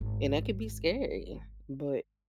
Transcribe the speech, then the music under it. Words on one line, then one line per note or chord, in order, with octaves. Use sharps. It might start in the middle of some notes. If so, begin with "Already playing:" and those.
and that could be scary, but,
G#1 D#2